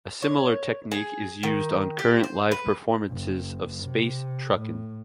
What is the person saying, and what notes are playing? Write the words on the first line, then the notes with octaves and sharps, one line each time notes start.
A similar technique is used on current live performances of "Space Truckin'".
C#5
G#4
D#3
G4
C5
B4
F#1
C3
A2